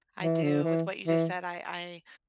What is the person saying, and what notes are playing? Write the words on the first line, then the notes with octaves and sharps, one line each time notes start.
I do. With what you just said, I
E3
D3
E3
E3